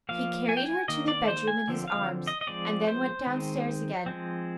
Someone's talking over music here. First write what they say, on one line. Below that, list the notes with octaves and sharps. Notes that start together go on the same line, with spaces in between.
He carried her to the bedroom in his arms and then went downstairs again.
F3 A#3 F5
G#5
G5
G#5
D#3 A#3 D#5
D5
C5
G#5
D3 F3 C4
F5
D#5
D#5
F3 G#3 C4 D5
C5
D#3 G#3 C4
F3 G#3 C4